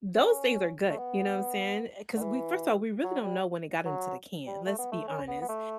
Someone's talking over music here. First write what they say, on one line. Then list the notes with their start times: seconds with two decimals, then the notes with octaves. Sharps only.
those things are good, you know what I'm saying? 'Cause we first of all, we really don't know when it got into the can, let's be honest,
0.16 C#4
0.90 A3
0.98 B3
2.16 D3
2.21 E3
3.04 F#3
3.23 G3
3.86 F#3
4.47 G3
4.66 A3
4.79 B3
4.92 A3
5.08 C#4
5.28 B3
5.42 B3
5.49 A3